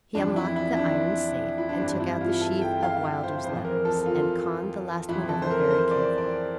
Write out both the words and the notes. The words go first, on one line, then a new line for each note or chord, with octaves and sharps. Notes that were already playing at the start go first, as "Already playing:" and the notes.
He unlocked the iron safe, and took out the sheaf of Wylder's letters, and conned the last one over very carefully.
F2 E3 D4
E4
E4
D4
E4
D4
G2 E3 C4
E4
F4
A4
G5
F5
C5
F2 C5
E3
A#4
A4
F4
F2 E3 E4
A4
C5
A#4
C5
D5
D5